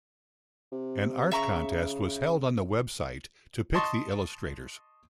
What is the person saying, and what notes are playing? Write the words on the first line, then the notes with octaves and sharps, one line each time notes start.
An art contest was held on the website to pick the illustrators.
C3
C#3 E5 A#5 C#6
D#5 A5 C6 C#6